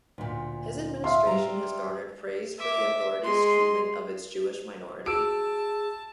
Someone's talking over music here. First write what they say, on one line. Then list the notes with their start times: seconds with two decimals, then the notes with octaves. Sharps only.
His administration has garnered praise for the authorities' treatment of its Jewish minority.
0.18 D2 A#2
1.04 E5 F5 C6
1.27 G3 A#5
2.58 E5 D6
3.23 G#3 C6
5.06 F#4 G#4 A5 E6 D7